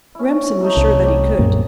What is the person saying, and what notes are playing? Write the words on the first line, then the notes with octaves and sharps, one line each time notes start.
Remsen was sure that he could.
C#4 E4
F#3 A3 D#4
C2
G4
F#2 A#2 A#3